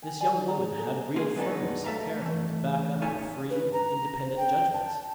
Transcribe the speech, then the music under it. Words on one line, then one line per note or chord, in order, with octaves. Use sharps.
This young woman had real firmness of character to back up her free and independent judgments.
G5 G#5
D#4 D5 G#5
G#4 F#5 A5 A#5
A4
A#3 F4 G#4
G#3 B3 D4 D#4
A3 A4 E5 F5 A#5
E3 A3
D#4 F4 A4 C#5 E5 G#5
B4
A#5
C5
G5
A5